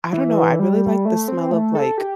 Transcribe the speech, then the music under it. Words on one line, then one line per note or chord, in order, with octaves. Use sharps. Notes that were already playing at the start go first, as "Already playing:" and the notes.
I don't know. I really like the smell of, like,
E3
G3
A3
C4
A3
A4
G4